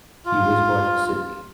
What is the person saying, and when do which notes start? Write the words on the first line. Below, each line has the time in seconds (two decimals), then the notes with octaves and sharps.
He was born in Sydney.
0.25 F4